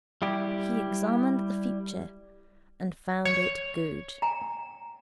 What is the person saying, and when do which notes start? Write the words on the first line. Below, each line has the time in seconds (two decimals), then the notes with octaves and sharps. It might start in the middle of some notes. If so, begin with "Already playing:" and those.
He examined the future, and found it good.
0.22 G3 E4 G4
3.26 C#5
4.22 G5 G#5 A#5